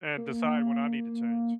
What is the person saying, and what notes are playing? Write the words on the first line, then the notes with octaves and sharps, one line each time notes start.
and decide when I need to change.
A#3